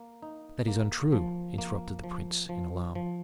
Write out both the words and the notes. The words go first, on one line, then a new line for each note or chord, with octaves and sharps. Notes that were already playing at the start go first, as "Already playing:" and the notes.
"That is untrue!" interrupted the prince, in alarm.
Already playing: A#3
D#4
A#3
F3
A#3
F3
F3
F3